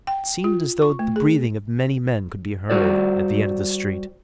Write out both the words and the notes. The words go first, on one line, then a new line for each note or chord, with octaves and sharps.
It seemed as though the breathing of many men could be heard at the end of the street.
G5
F4
C#6
A3
G#4
G3 F#4 C5 D5